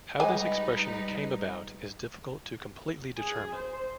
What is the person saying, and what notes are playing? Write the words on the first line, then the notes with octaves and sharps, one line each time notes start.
How this expression came about is difficult to completely determine.
G3 G#3 D#4 B4 G#5
G#4
C5